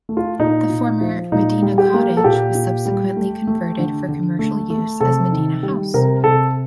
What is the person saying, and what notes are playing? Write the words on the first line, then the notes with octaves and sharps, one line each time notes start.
The former "Medina Cottage" was subsequently converted for commercial use as "Medina House".
A3
F4
A#2 D#4
A#2
F3
A#2 D#4
G3
G4
A#3
A4
A#2 G4
A#2
G3
A3
A3
D3
D3
A3
A3
C3 A4
D#3
G3
C3 A#4
C3 A4